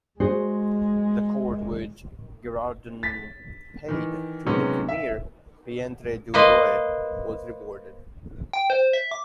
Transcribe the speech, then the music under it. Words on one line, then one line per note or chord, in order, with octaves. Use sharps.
The court which Girardon paid to the "premier peintre du roi" was rewarded.
G#3 F#4 G#4 C5
A6 B6
D#3 E3
C3 D#3 F#3 G#3 B3 C#4
E5
A#3 B4 C5 D#5
G5
C5
E5
D6